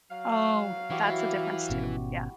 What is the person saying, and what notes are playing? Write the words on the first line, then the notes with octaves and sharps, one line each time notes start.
Oh, that's a difference too, yeah.
F#3 F5
E3 E4 F#4 G4
G#1 B2 C#4